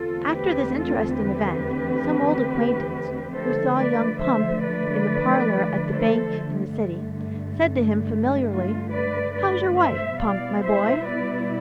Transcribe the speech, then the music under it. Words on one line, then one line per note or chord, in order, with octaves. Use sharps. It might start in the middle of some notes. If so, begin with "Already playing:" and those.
After this interesting event, some old acquaintance, who saw young Pump in the parlour at the bank in the City, said to him, familiarly, 'How's your wife, Pump, my boy?'
Already playing: E2 D3 A3 C4 F4 A4
G4 B4
F4 A4
G4 B4
D3 F3 A3 A4 C5
B4 D5
C5 E5
B4 D5
A4 C5
G2 D3 A3
F4
B4 D5
B4 D5
C5 E5
B2 G3 B3 E4 D5 F5
C5 E5
B4 D5